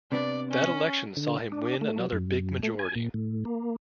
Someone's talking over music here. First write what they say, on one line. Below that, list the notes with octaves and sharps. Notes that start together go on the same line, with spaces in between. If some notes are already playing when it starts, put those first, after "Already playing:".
That election saw him win another big majority.
C3 B3 D4 D5
C#4
D3
D4
A3
F#3
F#2
A3
G#5
A#2
A2
A#3